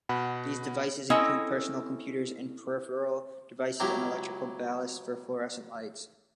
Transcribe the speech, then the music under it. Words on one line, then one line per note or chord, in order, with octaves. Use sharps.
These devices include personal computers and peripheral devices, and electrical ballasts for fluorescent lights.
B2 F#5 B5
C4 C#4 E4 A4 D#5
C#2 F#3 E4 G4 A#5